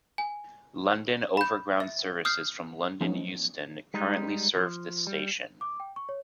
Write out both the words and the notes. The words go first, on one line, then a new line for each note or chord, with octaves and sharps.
London Overground services from London Euston currently serve this station.
G#5
B5 G6
E5
D#6 F6 G6 C7
F3 F#3 A3 B3 C#4 D#4
G3 G#3 D#4
F3
G3
D6
G5
C#6
C#5